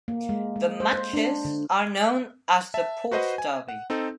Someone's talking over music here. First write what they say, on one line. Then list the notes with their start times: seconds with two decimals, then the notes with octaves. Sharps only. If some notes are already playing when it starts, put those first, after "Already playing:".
Their matches are known as the "Port Derby".
0.08 A#3
0.29 G#3
0.56 G#3
0.80 C5
0.93 C5
1.13 D4
1.45 D3
2.74 E5 A5
3.11 F#4 B4 C5 D#5 F#5
3.38 G#5
3.68 F#5
3.90 C4 D#4 A4